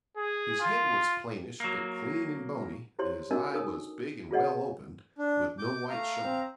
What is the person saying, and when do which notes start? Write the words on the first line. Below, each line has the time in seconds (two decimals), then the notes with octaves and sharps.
His head was plainish, but clean and bony, and his eye was big and well opened, with no white showing.
0.17 G#4
0.61 F4
1.60 F#3 A#3
2.99 E4 G4 C5 C#5 C6
3.31 C#4 D4 F#4 A#4 D#5
3.52 D4 D#4 A4 A#4 D#6
4.31 F4 F#4 G#4 C#5 D#5 F#5
5.18 D4
5.59 D6 G6
5.90 A3 F5 A#5
6.19 C4